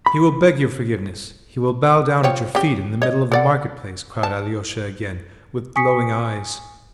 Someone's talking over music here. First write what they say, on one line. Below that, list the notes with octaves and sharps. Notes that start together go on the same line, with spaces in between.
"He will beg your forgiveness, he will bow down at your feet in the middle of the market-place," cried Alyosha again, with glowing eyes.
B5
F3 C#5 G5
C#3 G4
C#5 D#5
A4 D5 F#5
A5
G#5 C#6 D#6 B6 C#7